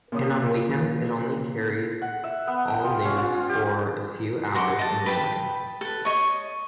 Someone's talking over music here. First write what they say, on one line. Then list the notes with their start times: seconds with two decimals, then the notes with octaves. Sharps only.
And on weekends it only carries all-news for a few hours in the morning.
0.12 A#2 C#3 D#6
2.02 F#5
2.24 E5
2.47 B3
2.68 G5
2.83 F4
3.05 C#4
3.18 F4
3.49 G4
4.55 F#4 A#4 C6 D6
4.79 D#5 A5
5.06 B4 G5 A5 B5
5.81 A4 B4
6.05 C#5 D#5 C#6